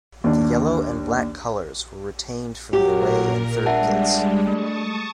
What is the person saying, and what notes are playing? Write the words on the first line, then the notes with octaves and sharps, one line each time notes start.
The yellow and black colours were retained for the away and third kits.
D#2 D4
A#2 F#3 G4 A#4
G3 G#3 D4 E5 F#5 A5
A3 A5 C#6 D#6